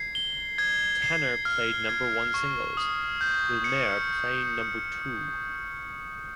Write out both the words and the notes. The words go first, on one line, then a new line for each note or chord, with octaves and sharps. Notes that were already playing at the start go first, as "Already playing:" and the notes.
Tanner played number one singles, with Mayer playing number two.
Already playing: G#6 C7
G7
G#6
C7
F6
G#6
C#6
D#6
G6
C#7